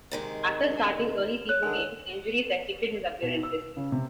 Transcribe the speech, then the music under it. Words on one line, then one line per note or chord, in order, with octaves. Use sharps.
After starting early season games, injuries restricted his appearances.
C3 D#3 G#3
C#5 F#6
D3 D#3 G#3 A#4 G#5
B2
E6
C#3
C3